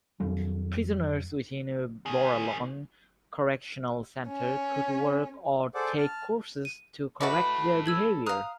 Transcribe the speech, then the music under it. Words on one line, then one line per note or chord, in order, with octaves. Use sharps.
Prisoners within Borallon Correctional Centre could work or take courses to correct their behavior.
F2 D#3 F#3 D4
D#3 G#4
C#4
G#4 A4 C5 D5 F#5 D6
A5 F6
D#7
F#4 A4 B4 D#5 E5 F#5 B5 D6
E6 G#6 F#7
F5 A#5 D#6 F6 F#6